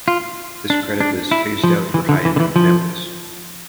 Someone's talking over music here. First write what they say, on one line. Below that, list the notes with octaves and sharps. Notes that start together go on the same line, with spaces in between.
This credit was phased out for high-income families.
F4
D4
D4
E4
F3
E3
D3
E3
D3
E3
F3